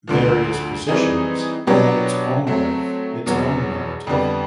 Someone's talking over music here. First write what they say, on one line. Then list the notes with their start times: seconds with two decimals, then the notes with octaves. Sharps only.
"Various Positions" had its own life, its own narrative.
0.07 D2 D3 F3
0.87 E3 G3 C4 D#4 G#4
1.67 B2 F#3 B3 D4 G4
2.47 F#3 A3 C4
3.26 E2 B2 F#3 B3
4.07 F2 D3 G3 B3